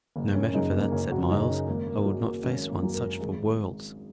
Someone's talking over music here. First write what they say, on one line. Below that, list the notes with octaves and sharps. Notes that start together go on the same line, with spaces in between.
"No matter for that," said Myles; "I would not face one such for worlds."
F#1 A#3
C#4
F#2 C#3 D#4
A#3
F#1 C#4
F#4
F#2 C#3 D#4
C#4
G#1 A#3
A#3
F#2 F#3 G#3
A#3
G#1 C#4
A#3
F#2 F#3
A#4
G#1 G#4